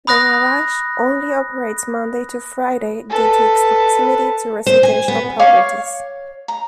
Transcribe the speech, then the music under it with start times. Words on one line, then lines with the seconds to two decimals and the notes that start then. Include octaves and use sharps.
The garage only operates Monday to Friday due to its proximity to residential properties.
0.07 B5 D#6 F#6 A#6
3.10 A4 B4
4.66 C5
4.83 G#5
5.08 B3
5.39 C#5 F5 C#6 D6
6.48 A#5